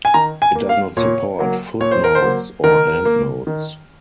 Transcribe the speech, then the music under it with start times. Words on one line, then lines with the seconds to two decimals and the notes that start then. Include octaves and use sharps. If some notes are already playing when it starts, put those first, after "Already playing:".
It does not support footnotes or endnotes.
0.05 G#5
0.14 D#3 A#5
0.42 G#5
0.55 A#3
0.69 F5
0.97 A#2 C#5
1.39 F#3 A#3
1.80 A#2 C#5
1.91 C5
2.04 A#4
2.15 C5
2.22 F#3 A#3
2.64 D#3 A#4
3.05 A#3
3.47 D#3